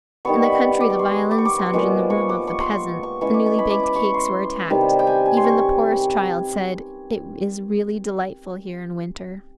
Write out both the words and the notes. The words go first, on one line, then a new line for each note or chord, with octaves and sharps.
In the country the violin sounded in the room of the peasant; the newly-baked cakes were attacked; even the poorest child said, "It is really delightful here in winter!"
D#3 G3 B3 C#6
B5
D6
C#6
C6
C#6
D6
C#6
D6
C6
C#6
A#2 F3 G#3 B3 D6
C#6
D6
C#6
C6
C#6
C#6
E3 G#3 C#4 C#6
D6
C#6
B5
D6
D6
C#6
C6
C3 D#3 G3
G5
G#5
G#5
C6
C#6